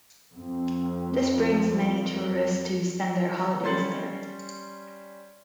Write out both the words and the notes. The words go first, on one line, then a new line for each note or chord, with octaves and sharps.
This brings many tourists to spend their holidays there.
F2 C4
G3 C#4 C6 A6 C#7 F#7